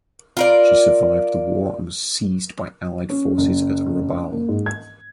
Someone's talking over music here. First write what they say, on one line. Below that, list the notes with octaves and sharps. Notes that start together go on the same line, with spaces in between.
She survived the war and was seized by allied forces at Rabaul.
F4 A#4 D5
C#4
F#1
A#3
G#2
G#6